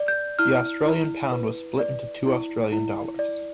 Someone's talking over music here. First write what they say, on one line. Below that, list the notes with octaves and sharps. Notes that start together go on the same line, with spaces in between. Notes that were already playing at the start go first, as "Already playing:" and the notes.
The Australian pound was split into two Australian dollars.
Already playing: D5
G6
E4 F6
E4
B4
D5
E4
E4
D5